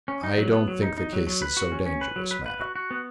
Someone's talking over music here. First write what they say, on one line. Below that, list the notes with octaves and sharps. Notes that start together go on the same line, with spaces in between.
"I don't think the case is so dangerous, madam."
C#4
D#4
F#3
B3
F#3
D#4
D#4
F#3
F#3
B4
F#4
C#4
C#4
B4
F#3
B4
B4
F#4
F#4
B3